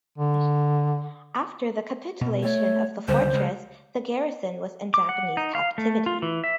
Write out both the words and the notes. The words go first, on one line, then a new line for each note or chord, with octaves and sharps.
After the capitulation of the fortress the garrison was in Japanese captivity.
D3
B2
A3 C#5
C#2 D3 G3 C5
C#3 G#3
D6
F#5
D#4
F5
A3
F4
E3
E5